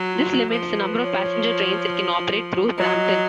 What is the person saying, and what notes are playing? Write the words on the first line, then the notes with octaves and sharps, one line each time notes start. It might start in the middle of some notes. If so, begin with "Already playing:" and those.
This limits the number of passenger trains that can operate through Brampton.
Already playing: F#3
F4
F#4
A4
F3 A#4
B4
C#5
F#3 D#5